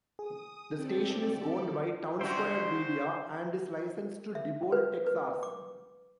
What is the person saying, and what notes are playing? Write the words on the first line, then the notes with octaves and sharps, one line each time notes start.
The station is owned by Townsquare Media and is licensed to Diboll, Texas.
G#4 D#6
C4 G4 A4 D5
C#3 D4 F#4 C5 E5 G5 C6
E5
B4
B4
D6